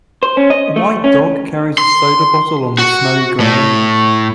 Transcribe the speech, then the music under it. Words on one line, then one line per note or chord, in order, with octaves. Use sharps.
A white dog carries a soda bottle on the snowy ground.
C5
C#4
D#5
A3
C#4
C6
F#4
A2